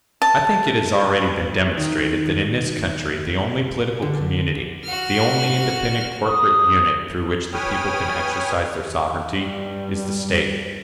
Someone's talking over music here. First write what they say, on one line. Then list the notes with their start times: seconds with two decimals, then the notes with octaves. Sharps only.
I think it has already been demonstrated that, in this country, the only political community--the only independent corporate unit through which the people can exercise their sovereignty, is the State.
0.22 A5
1.78 D#3
4.02 D3
4.84 F#4 F6
6.26 D#6
7.53 B4 C#5 G5 G#5 D#6 F6
9.32 G2 G3